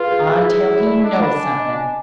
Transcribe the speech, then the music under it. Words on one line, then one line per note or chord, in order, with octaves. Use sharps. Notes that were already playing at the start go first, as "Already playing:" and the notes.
"Until he KNOWS something!"
Already playing: F4 G#4 B4
G#4
E4 G#4
G#4
G#4
D5
D4 D#5
B5
G#5
D#5
G#5